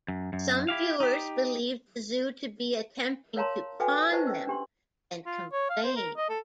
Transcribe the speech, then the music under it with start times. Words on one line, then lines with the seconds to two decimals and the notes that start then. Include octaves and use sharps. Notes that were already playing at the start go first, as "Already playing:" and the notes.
Some viewers believed the zoo to be attempting to con them and complained.
0.08 F#2
0.33 F#2
0.68 E4 G4 F5
1.00 D#4 G4
3.36 A#4 C#5 F5 A5 A#5 C6
3.80 F#4 A4 B4 F5 G5 G#5
4.12 E4 B4 C5 D#5 A5 C#6
4.27 C#4 E6
4.47 D4 G4 C6
5.26 F4
5.52 C#5
5.70 F5
5.84 C5
5.96 A#4
6.17 D#5
6.29 A4